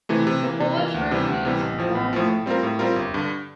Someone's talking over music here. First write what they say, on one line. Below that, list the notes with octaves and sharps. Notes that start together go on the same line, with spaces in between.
The Polish version is Bronimir.
C3 E3 A3 E4
C3
E3 A#3
C3
E3 A#3
D2
C3 E3 G3
D2
C3 E3 G3
A1
A2 F3
A1
A2 F3
A2
G3 C4 F4 A#4
A2
G3 C4 F4 A#4
G1
G2 D3